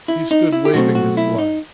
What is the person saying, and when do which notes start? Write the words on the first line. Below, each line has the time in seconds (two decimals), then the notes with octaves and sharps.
He stood waving his flag.
0.08 E4
0.31 D#4
0.52 E4
0.65 G4
0.74 B2 F#3 A3 C4 F#4
0.95 F#4
1.17 E4
1.38 D#4